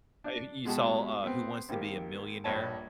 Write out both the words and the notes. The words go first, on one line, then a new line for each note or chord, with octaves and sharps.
I you saw, uh, Who Wants to Be a Millionaire?
D4
B2 G#3 F#4 G4 A5
B3 C4
G#1 A#3 G4
A#1 G2 C#5 A5